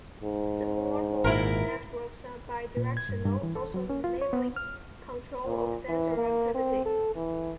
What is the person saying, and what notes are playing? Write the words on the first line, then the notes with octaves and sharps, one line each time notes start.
The more modern networks are bi-directional, also enabling "control" of sensor activity.
G#2
G#1 A#2 E4 A#4
A#2
G#6
G2
G2
E3
A4
F#3
C#4
F4
C#5
B3
F6
A#2
E3
A#3
C4
A4
E3